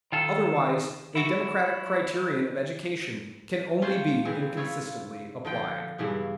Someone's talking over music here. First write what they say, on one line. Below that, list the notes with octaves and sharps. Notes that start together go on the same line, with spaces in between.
Otherwise a democratic criterion of education can only be inconsistently applied.
D#3 F4 A4
E4 F#4
C3 C#4 F4 C5
C#3 E3 C4
E4 F4 C#5
D3 F3 G5
G2 C#3 E3 B3